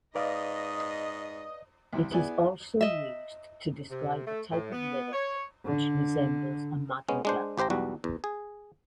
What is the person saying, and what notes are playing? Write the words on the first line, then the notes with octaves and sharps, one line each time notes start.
It is also used to describe a type of lyric which resembles a madrigal.
G#2 B4 D5 D#5 F5
C2 C4 E4
B3 E4 G#4 D5 G#5
D#5 E5
C3
A3
A2
B3
C#5
D3
G#3 B3 C#4
G#3 D4 C5
A1 G4 C5 G5 A#5
B1 E2 G3 F#4
E2
G#4